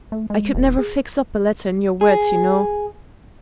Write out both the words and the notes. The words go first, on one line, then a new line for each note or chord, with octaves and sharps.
I could never fix up a letter in your words, you know.
A3
G#3
D#1
G#4
G#4